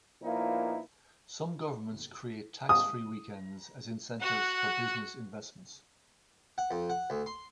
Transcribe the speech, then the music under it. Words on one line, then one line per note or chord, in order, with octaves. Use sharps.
Some governments create tax-free weekends as incentives for business investment.
A#2 F3 A#3 B3 D#4 E4
D#6
F#4 F#5
F#5
F2
F#5
D2
C6